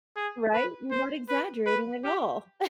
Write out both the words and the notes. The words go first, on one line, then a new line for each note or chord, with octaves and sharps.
Right? You weren't exaggerating at all.
G#4
B4
C5
B4
B4
G4